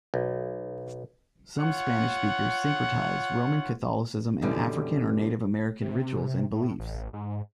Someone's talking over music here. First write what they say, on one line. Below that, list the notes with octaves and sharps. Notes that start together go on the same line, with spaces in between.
Some Spanish-speakers syncretize Roman Catholicism and African or Native American rituals and beliefs.
B1
F4 C#5 F#5
F#2 B2 D3 E3 G3
C3
A2
A1
G#2